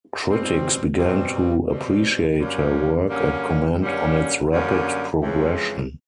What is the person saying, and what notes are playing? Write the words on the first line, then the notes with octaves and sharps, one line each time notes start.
Critics began to appreciate her work and comment on its rapid progression.
B2 G3 C4
B2 G3 C4
B2 G3 C4
F#2 D3 G3 A#3 C#4
F#2 D3 G3 A#3 C#4
F#2 D3 G3 A#3 C#4
F#2 D3 G3 A#3 C#4
F2 C#3 E3 G#3